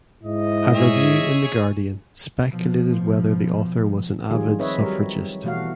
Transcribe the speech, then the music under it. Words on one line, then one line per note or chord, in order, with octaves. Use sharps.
A review in "The Guardian" speculated whether the author was an avid suffragist.
G#2 E4 D#5
G#4 C#5 E5
B2 F3
D#3 F3 G3 F4 G#4
C4 B4 C#5 D#5 E5
F#3 G3 A#4
B2 E3 A3 F#4 F5